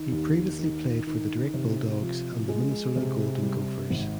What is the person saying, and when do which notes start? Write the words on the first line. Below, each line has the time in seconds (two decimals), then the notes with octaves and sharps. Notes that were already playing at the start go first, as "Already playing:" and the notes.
He previously played for the Drake Bulldogs and the Minnesota Golden Gophers.
Already playing: D#3
0.12 D#2
0.59 D#3
1.07 D#3
1.54 C3
2.01 F3
2.49 G#3
2.96 C3
3.42 G3
3.90 G#1